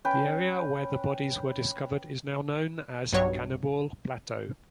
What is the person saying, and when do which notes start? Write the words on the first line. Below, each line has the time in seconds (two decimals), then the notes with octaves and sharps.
The area where the bodies were discovered is now known as Cannibal Plateau.
0.05 C#4 B4 G5
3.12 B1 G2 F#3 C#5